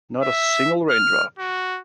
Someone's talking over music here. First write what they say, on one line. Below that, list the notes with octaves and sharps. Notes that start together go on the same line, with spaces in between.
Not a single raindrop!
E5
F6
F#4